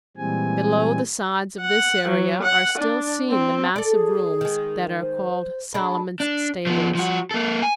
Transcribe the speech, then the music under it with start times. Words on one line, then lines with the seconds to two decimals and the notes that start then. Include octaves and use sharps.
Below the sides of this area are still seen the massive rooms that are called Solomon's stables.
0.17 A#2 E3 G3 G#3 C4 G#5
1.61 F#5
2.08 F#3
2.43 F#5
2.78 D4
3.31 C4
3.76 A4 D5
3.91 G#4
4.41 D#3 G#3
5.00 C5
5.74 G#3 D4 B5
6.20 D4
6.67 F3 B3
6.95 F3 F#4
7.31 A#3 A4
7.62 G#5